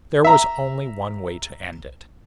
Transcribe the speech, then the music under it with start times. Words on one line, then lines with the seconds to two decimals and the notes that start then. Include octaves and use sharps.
There was only one way to end it.
0.25 E5 A#5